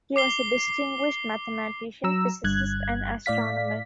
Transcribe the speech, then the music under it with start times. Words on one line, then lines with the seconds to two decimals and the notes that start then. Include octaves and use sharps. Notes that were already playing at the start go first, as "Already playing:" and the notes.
He was a distinguished mathematician, physicist and astronomer.
0.16 D6 C7 G7
2.04 F#3 A#5 E6
2.44 G1 G2 F#6 G#6
3.26 A2 D5 F5 B6